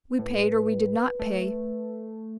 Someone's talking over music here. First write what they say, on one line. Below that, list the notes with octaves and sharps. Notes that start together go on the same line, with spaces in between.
We paid or we did not pay.
A2 B4
A3